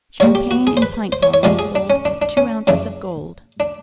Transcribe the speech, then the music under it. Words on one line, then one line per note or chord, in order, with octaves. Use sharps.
Champagne in pint bottles sold at two ounces of gold.
D3 G3 A#3 C#5
G4
F#4
G#4
C5
B4
C5
C#5
C#5
F2 C3 F3 G#3 D5
G#4
D4
C#4
D4
D4
C#4
F#2 C#3 E3 D4
D4